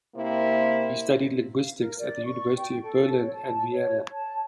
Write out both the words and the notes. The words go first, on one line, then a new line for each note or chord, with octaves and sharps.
He studied linguistics at the universities of Berlin and Vienna.
C3 A#3 C4 E4
F5
A#4
D5
C#6
G5
A4
C#5
A5
C#5
A5